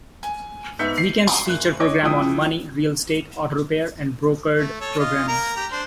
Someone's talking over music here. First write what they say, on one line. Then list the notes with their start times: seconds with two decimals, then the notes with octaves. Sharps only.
Weekends feature programs on money, real estate, auto repair and brokered programming.
0.23 G#5
0.79 G#2 B3 E5 G6 C#7
0.98 C7
1.46 F#1 F#6
1.80 C#5 D#5 D6
2.02 C#2 F3 E4 G5 D#6
4.58 A3
4.81 A4 C#5
4.99 F4 D#5
5.28 A#3 A#4 A#5
5.56 G4 A#5
5.72 D4 C5 C6